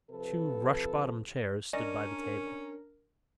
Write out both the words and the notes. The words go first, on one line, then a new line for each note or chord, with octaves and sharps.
Two rush-bottom chairs stood by the table.
C3 F3 A4 B4
C#4 D4 A#4 D5 D#5 G#5